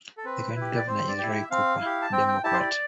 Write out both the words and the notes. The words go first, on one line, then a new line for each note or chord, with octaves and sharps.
The current Governor is Roy Cooper, a Democrat.
A4
C4 B4
E4
G4
D5
C4 C5
D5
E4 G4
E5
C4 F5
E4 G4
A5
C4 G5
G5
E4 G4 A5
C5
D5